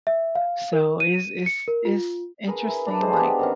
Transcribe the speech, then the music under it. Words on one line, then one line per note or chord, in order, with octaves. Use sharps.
so it's it's it's interesting, like
E5
F5
A#4
D#7
C#7
A#4
F4
G#4 A#4 B4
E4
D4 B4
G#3 G#4 A4 C5
G#3 B3 G4 D5
D#3 C4 C#4